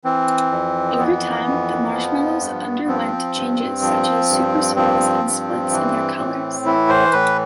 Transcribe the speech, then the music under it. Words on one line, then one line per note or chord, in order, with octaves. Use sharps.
Over time, the marshmallows underwent changes such as super-swirls and splits in their colors.
E3 C4
F2
E3 B3
F2
F3
G2
F3 C4
G2
F3
G2
F3 C4
G2
E3
A2
E3 E4
C5
A2 B4